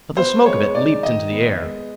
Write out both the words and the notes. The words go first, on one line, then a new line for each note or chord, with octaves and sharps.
But the smoke of it leaped into the air.
B3 C5
G#3 C#5
D#4 D5
D#3 D#5
B3
G#3